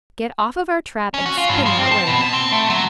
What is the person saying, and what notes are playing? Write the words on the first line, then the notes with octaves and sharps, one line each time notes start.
"Get off of our trap and spin that wedding."
C#4
F#4
F4
G2
F3
C4
A5
B2
A5
C4
A3
F#3